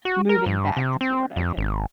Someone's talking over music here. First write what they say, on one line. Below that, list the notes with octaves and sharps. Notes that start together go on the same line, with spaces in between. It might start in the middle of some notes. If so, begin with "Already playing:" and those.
moving back to Florida 'cause
F#4
A#4
G2
C3
C4
F2
G#1